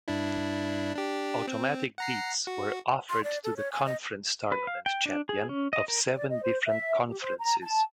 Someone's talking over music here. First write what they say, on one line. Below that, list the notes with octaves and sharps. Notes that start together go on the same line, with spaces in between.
Automatic bids were offered to the conference tournament champion of seven different conferences.
G2 D4 E4
D4 G4
C4
F#5 A#5 C7
F#4
C6
D5
A4
C#5
G#5
D#5
B4
F5
G5
D4
G#4
C#4
D#5
A#4
D5
D#5
C5
E5
G4
C5
A#5
A5